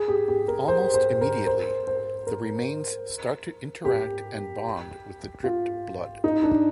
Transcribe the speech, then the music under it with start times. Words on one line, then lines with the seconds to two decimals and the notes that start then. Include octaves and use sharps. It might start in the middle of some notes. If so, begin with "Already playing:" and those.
Almost immediately, the remains start to interact and bond with the dripped blood.
Already playing: G#4
0.08 G4
0.28 G4
0.48 A#4
0.68 C5
0.94 C5
1.21 A#4
1.47 C5
1.87 C5
2.27 A#4
3.85 G4
5.44 F4
6.24 D#4
6.43 D4